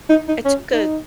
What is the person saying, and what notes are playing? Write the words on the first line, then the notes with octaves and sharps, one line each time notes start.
I took a
D#4
D#4
C#4
D#4